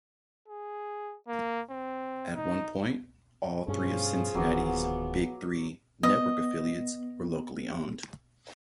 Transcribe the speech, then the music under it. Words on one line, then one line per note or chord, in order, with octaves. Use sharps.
At one point, all three of Cincinnati's "Big Three" network affiliates were locally owned.
G#4
A#3
C4
D#4
G2 B2 F3 C#4 F4 G#4
D1 D#3 F#3 B3 D6
B3 D#5